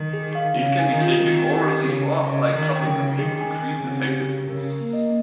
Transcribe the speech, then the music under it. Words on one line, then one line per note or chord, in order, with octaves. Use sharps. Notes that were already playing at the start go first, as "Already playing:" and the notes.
It can be taken orally or applied topically with increased effectiveness.
Already playing: D#3
G#4
F5
C#3 F5
G#5
D#3
F4
D#3 C4
G4
G4
C#3 G#4
G5
C#3
D#5
D#3 A#4
G5
C#3
G5
D#3 G#4
G#5
G#5
C#3 C4
G4
G4
C#3 A#4
A#4
A#3
D#5